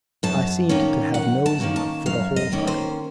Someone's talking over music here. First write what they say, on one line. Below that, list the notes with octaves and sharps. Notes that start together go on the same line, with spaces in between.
I seemed to have nose enough for the whole party.
F#2 A5
D#3 A#3 C#4
F#2 F#5
A5
D#3 A#3 C#4
A5
F#2 F5
D#5
D#3 A#3 C#4
C5